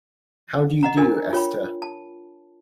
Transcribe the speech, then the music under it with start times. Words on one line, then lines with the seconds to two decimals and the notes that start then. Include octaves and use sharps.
How do you do, Esther?
0.83 D#5 F#5 A#5
0.97 D4 F4 A#4 D#5 G#5
1.33 F4 C#5 G5 B5
1.82 A5